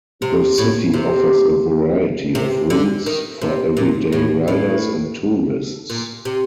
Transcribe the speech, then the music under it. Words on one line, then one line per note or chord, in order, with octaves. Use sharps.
The city offers a variety of routes for everyday riders and tourists.
C3
A2
C3
C3
D3
D#3
C3
A#2
A2
A2
A#2
C3